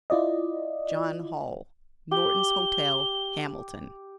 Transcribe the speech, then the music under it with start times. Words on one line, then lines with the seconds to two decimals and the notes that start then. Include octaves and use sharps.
JOHN HALL, Norton's Hotel, Hamilton.
0.10 E4 F4 D5 D#5
2.11 G4 G7